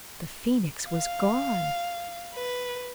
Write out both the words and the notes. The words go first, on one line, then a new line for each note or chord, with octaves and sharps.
The Phoenix was gone.
F5
B4